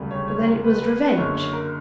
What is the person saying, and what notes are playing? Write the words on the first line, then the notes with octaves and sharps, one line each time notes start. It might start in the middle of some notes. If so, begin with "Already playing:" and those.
"Then it was revenge."
Already playing: E1 D2 C#3 G3
C#5
C#5
A#4
B4
B4
B4
F#1 F#2 D3 C#5
C#5
A#4